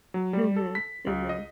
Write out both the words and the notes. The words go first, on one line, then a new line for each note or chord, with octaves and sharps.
Mhm, mhm.
F#3
G3
A4
B6
C#2
D#5